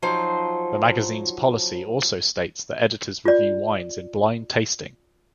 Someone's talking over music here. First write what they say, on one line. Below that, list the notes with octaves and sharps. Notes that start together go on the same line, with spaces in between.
The magazine's policy also states that editors review wines in blind tasting.
F3 F#3 D#4 C5
F4 D5